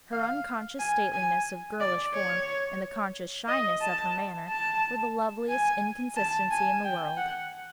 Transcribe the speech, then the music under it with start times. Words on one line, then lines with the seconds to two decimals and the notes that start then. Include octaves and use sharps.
Her unconscious stateliness of girlish form, and the conscious shyness of her manner, were the loveliest inconsistency in the world.
0.13 F5
0.79 G#5
1.13 G#5
1.80 D5
2.14 C#5
3.48 D#5
3.81 A5
4.49 A5
5.49 G#5
6.17 A5
6.51 G#5
6.84 G5
7.17 F#5